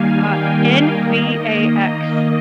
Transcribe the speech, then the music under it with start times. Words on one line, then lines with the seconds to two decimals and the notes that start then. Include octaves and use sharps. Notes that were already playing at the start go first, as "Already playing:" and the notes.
Uh, N-V-A-X.
Already playing: D#3 G3 A#3 F5 G#5
0.19 G5
0.54 F5
0.90 D#3 A#3 D#5
1.26 D#5